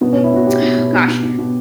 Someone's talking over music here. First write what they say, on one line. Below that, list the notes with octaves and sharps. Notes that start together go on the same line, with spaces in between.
ugh, gosh,
B2 B3
B2 C#4
E4
B2 F#4
B2 G4
B2
B2
B2
B2
B2
B2